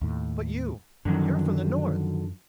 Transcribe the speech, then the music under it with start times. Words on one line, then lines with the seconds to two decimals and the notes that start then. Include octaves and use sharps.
"But you--you're from the North."
0.01 D#2 A2
1.05 F#2 D3 D#3 F3 F#3 C#4